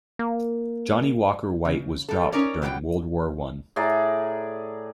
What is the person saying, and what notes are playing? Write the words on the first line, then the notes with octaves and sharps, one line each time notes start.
"Johnnie Walker White" was dropped during World War One.
A#3
C#3
G3 A4
C#4 D#4 A#4 C#5 D5
B2 F#3 G3 C5 G5
A2 G#4 D5 A#5